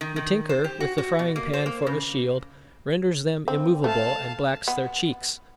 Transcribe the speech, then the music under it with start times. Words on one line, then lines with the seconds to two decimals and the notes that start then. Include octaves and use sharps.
The tinker, with the frying-pan for a shield, renders them immovable, and blacks their cheeks.
0.01 D#3
0.16 D#3
0.49 C5
0.64 G4
0.80 F#4
0.98 F#4
1.19 B2
1.36 A#3
1.53 C5
1.66 A#3
1.87 C#3
3.48 C4
3.84 A3 C4 F5 A5
4.68 B3